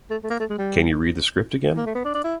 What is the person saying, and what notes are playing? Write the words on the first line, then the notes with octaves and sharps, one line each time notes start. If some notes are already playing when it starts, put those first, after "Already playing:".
Can you read the script again?
A3
A3
A#3
A3
G#3
G3
A#3
A3
B3
D4
D4
E4